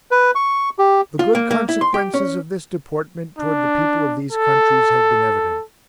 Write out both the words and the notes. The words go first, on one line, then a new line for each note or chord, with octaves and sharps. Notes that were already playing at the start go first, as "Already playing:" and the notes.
The good consequences of this deportment toward the people of these countries have been evident.
B4
C#6
G4
F4
A#3
A#3
E4
C6
G4
C#4
D4
A4